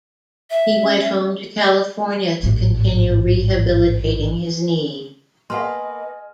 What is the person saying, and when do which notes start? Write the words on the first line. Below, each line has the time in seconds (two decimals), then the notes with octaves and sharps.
He went home to California to continue rehabilitating his knee.
0.50 E5
0.83 C#4
2.43 A1 G#2
5.50 A#3 G#4 B4 D#5 F#5 A5 C6 F6